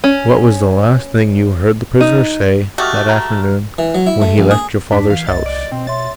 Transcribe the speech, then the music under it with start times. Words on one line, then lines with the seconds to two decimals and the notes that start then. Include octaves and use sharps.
"What was the last thing you heard the prisoner say that afternoon when he left your father's house?"
0.04 C#4
2.01 D#4
2.78 A3 F#4 G4 D#5 F6 F#6
3.09 A#5
3.78 E3
3.95 F#3
4.07 E4
4.21 A3
4.38 A#1
4.51 G#4
4.92 F2 D4 B6
5.10 E3 F5
5.27 C2 D#5 A6
5.46 D5
5.72 B2 C4
5.87 C#5 E5 C6 A6